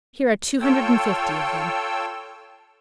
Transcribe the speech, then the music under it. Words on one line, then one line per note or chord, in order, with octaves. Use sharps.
"Here are two hundred and fifty of them."
F4 A4 C#5 G5 E6